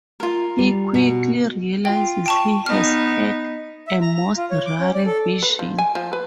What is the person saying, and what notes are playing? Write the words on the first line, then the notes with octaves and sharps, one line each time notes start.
He quickly realizes he has had "a most rare vision".
F4 A#4
G3
B2
F4 G5
G5 A5 C#6
B3 D#4 F6
E5
A#5
A#5
F4
C#5
D6
C#4
D5
A4
B4
F3
G#5
F3
B4